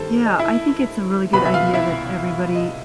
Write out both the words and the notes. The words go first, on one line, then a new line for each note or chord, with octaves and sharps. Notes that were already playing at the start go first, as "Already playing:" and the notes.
Yeah. I think it's a really good idea that everybody
Already playing: G2 D#3 G3 A4 C5 A5
D#5
E4 E5
C2 B2 F#3 B4 B5
E5
F4 F5
E4 E5
D#5